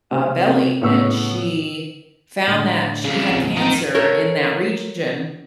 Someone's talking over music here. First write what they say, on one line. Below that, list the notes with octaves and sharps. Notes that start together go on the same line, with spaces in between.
uh, belly, and she found that she had cancer in that region,
C3 C4
C3
A2 C#3 B3 C#6 E6
A2 D3
F2 C#3
A#1
A1 F2 A#2
D#3
A4 A#4 C#5